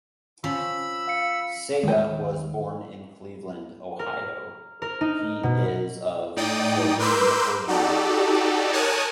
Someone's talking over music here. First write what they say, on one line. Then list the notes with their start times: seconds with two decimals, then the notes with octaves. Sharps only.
Sega was born in Cleveland, Ohio, he is of Slovene origin.
0.44 F3 C#4 B5 E6
1.07 F5 C#7
1.83 D#2 F3 G#3 G5
3.99 A#4
4.82 A#4
5.01 D#4
5.43 B2
6.36 A2 D#4 D5 G5 D#6
6.99 A#4 B4 C6 D6 E6 G6
7.68 D#4 F#4 G4 A4 D5
8.73 A#4 C#5 G#5 A5 D#6 F#6